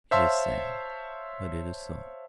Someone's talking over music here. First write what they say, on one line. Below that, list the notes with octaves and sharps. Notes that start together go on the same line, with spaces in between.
It is sad, but it is so.
C5 C#5 E5 F5 A5 C6